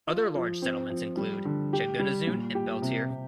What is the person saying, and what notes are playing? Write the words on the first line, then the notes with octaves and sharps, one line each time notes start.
Other large settlements include Chaganuzun and Beltir.
F4
F3
C4
F3
G3
D3
G4
G3
A#2
G4
C3
C3